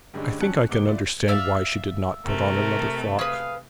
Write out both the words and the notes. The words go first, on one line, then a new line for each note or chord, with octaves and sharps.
I think I can understand why she did not put on another frock.'
G2 D3 G#3 C#4 D4
F2 C#4 G#5 A5 F#6 C#7
C#2 G#2 A#3 D6 G7
E4 F4 D5
D5 E5 F5
C3 A3 A#4
G#4 B4 F5